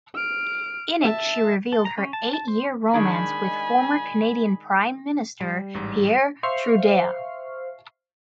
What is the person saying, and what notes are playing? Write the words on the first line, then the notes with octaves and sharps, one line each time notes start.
In it she revealed her eight-year romance with former Canadian Prime Minister Pierre Trudeau.
F6 D7
E5 A5
A4
A#5
C#4
A5
A5
C5
D#3 G#3 D4 G#5 B5
G3
A1 G#2
C5 E5 F5 C#6 F6 C7